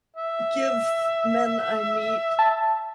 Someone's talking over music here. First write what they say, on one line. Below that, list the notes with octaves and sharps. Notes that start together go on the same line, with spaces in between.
give men I meet
E5
A5